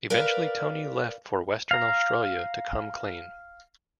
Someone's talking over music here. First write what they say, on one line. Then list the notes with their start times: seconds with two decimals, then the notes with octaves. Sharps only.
Eventually Tony left for Western Australia to come clean.
0.10 A#4 B4 D5 F5
1.71 F5 A#5